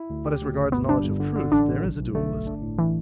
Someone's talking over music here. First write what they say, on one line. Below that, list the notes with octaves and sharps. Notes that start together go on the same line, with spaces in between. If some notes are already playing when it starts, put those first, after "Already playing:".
But as regards knowledge of truths, there is a dualism.
Already playing: E4
D2
G4
D2
G1
G1 B3
G3 D4
G1
D3
D3
A1 D4
A1
B1
B1
D3 A3
G1
D4
A2
E3